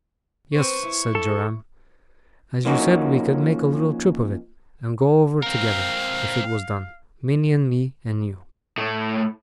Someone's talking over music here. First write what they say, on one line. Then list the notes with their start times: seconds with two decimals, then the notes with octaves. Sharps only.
'Yes,' said Joram. 'As you said we could make a little trip of it, and go over together, if it was done, Minnie and me--and you.'
0.54 C4 B4 C5 C#6
0.83 E4
1.15 A4
2.65 F3 A#3 C#4 D#4 F#4
5.43 C4 A#4 F5
8.78 A2 A3